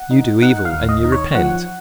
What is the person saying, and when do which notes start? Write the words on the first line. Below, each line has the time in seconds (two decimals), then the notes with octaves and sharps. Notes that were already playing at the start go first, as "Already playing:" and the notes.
You do evil, and you repent?
Already playing: F#5
0.11 D#4
0.42 D#4 F#5
0.65 F5
0.72 D#2
0.89 D#5
1.04 D#4
1.12 C#5
1.35 F3 F#5